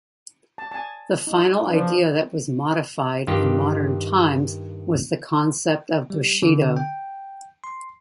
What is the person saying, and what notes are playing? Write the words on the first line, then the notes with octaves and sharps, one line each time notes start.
The final idea that was modified in modern times was the concept of Bushido.
A5
G#5 A5
D#4
F3 D4 B4
G2 D#3 F4 G4
G3
D3
G5
C6